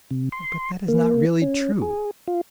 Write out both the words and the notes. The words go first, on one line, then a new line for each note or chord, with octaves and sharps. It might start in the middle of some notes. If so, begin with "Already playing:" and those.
But that is not really true.
C3
C6
A#3
C#4
G#4
F4